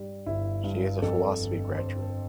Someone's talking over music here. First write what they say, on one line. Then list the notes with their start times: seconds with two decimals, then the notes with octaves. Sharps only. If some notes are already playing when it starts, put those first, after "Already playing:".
She is a philosophy graduate.
Already playing: G2 G3 D4
0.26 G1 E4
0.64 G2
1.02 F2 A4
1.40 G1
1.78 G1 C5